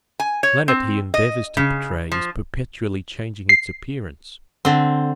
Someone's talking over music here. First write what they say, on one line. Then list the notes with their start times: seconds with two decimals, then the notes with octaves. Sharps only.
The Planet he endeavours to portray is perpetually changing its appearance.
0.20 G#5
0.43 C#5
0.68 C4
1.14 D#5
1.57 C#3
2.12 F3
3.49 C7
4.65 D3 C4